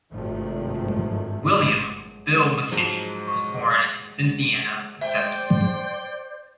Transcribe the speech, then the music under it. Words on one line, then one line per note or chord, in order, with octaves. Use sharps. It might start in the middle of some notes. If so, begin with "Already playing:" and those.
William "Bill" McKinney was born in Cynthiana, Kentucky.
G#1 G2 C3 D#3 F3 A3
G#2 F3 F#3
C#6
C5 D5 E5 G5 G6